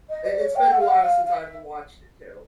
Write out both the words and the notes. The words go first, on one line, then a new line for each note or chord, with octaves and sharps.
I It's been a while since I've watched it too.
D#5
D5
C#5
G5
F#5
F5
F#5
F5
F5
E5